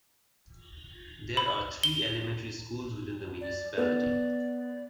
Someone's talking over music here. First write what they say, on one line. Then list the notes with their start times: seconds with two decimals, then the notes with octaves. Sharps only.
There are three elementary schools within the municipality.
1.37 B5
1.83 G7
3.41 D5
3.78 B3 D5